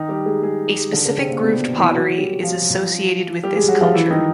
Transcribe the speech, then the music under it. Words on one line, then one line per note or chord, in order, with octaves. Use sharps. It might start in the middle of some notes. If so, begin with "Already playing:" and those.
A specific grooved pottery is associated with this culture.
Already playing: D#3 D#4
G3 G4
G#3 G#4
G#3 G#4
G3 G4
D3 D4
C#3 C#4
C3 C4
A#3
B2 B3
B2 B3
E3 E4
F#3 F#4
G3 G4
F3 F4
G3 G4
G#3 G#4
F#3 F#4
F3 F4
E3 E4
D#3 D#4